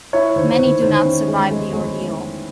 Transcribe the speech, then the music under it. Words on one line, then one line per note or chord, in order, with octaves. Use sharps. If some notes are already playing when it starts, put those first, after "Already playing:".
Many do not survive the ordeal.
E4 C#5
D#3 C5
C5
D#3 B4
D#3 C5
C#4
G#3
G#3
G#3